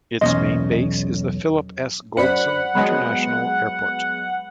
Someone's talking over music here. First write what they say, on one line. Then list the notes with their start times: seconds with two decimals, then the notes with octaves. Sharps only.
Its main base is the Philip S. W. Goldson International Airport.
0.21 B1 E2 C#4 D#4 D#5 C6
2.17 F#2 C5 D5 F#5 B5
2.75 F#3 G#3 B3 B5